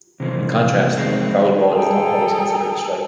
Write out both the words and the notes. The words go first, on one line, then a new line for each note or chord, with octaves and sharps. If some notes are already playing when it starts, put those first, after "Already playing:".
In contrast, a "foul ball" is not always considered a strike.
C3 E3 F3
F2 D#3 G#3 C4
G#4 A4 G5 A#5